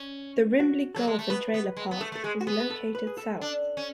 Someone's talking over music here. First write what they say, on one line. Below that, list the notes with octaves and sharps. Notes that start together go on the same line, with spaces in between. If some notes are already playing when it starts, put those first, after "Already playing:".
The Rimbey Golf and Trailer Park was located south.
Already playing: C#4
F#4
F#3 A4
G#3
A3
B3 B4
B3
G#3
B3
A3 A4
A3 A4
G#3 G#4
F#4
B3 G#4
B4
A4
B4
G#4
A4
D4
C#4